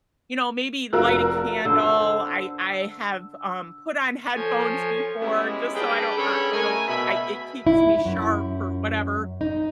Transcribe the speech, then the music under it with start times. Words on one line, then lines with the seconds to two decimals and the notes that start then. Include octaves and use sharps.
you know, maybe light a candle. I I have, um, put on headphones before, just so I don't, uh, you know, I it keeps me sharp or whatever
0.93 F1 F4 F#4 A#4 E6 F#6
1.65 D3 C5 E6
4.36 F3 A4 C#5 G#5
5.20 G3 G#3 B3 C#4 E4 G#4
5.75 G3 D4 G#4 B4 G5 A5
6.18 D3 C#4 G#4 A4 C#5 B5
6.52 C#3 A3 A#4 D#5 G#5
6.88 B2 E5 B5
7.67 E4
8.05 F#2
9.41 D#4